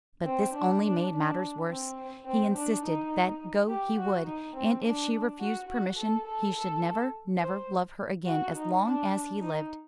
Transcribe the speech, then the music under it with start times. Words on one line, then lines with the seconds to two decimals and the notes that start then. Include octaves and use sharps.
But this only made matters worse: he insisted that go he would, and if she refused permission he should never, never love her again as long as he lived.
0.25 C4
0.53 D4
0.82 D4
1.11 D4
1.67 C4
2.25 C4
2.54 D4
2.83 D#4
3.69 G4
3.97 F#4
4.25 D#4
4.53 C4
4.83 D4
5.40 F#4
5.68 F#4
5.96 A4
6.26 A4
6.54 A4
7.40 C5
8.26 F#4
8.55 D#4
8.83 D4
9.40 D#4